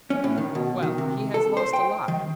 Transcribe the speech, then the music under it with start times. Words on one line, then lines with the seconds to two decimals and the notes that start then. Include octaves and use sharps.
Well;--he has lost a lot.
0.10 C#4
0.24 A2
0.38 D#3
0.55 B2
0.82 D#3
0.98 C3
1.34 A4
1.57 C5
1.73 G5
2.08 D#3